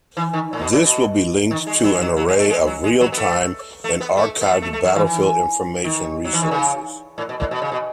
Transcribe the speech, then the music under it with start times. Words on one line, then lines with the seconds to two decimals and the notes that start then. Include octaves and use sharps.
These will be linked to an array of real-time and archived battlefield information resources.
0.17 E3
0.33 D#3
0.53 A2
0.61 B2
0.72 A2
0.83 B2
1.51 D#3
1.67 G#3
1.84 F#3
1.93 G#3
2.01 F#3
2.17 F#3
2.28 G#3
2.39 A3
2.50 G#3
2.67 F#3
2.84 G#3
3.01 F#3
3.12 B3
3.17 A3
3.84 A3
4.01 B3
4.17 A3
4.41 B3
4.51 A3
4.62 A3
4.73 A3
4.84 F#3
4.96 E3
5.07 E3
5.84 D#3
6.25 F#3
6.33 E3
6.42 D#3
6.51 C#3
7.18 A2
7.29 B2
7.40 A2
7.51 B2
7.62 C#3
7.72 B2